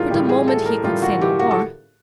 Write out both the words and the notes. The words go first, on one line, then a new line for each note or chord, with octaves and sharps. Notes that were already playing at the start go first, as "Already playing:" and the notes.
For the moment he could say no more.
Already playing: A2 E3 G3 F4 G#4 A#4
A2 E3 G3
G#4
A4
A#4
A2 E3 G3 F4
F#4
G4
F#4
A4